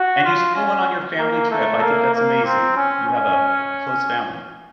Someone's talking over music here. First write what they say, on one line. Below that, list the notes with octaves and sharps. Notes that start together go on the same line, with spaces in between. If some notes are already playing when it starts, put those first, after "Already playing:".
And you still went on your family trip. I think that's amazing. You have a a close family.
Already playing: F#4
F4
C#4
A#3
A3
A#3
A#3
C4
C#4
C#4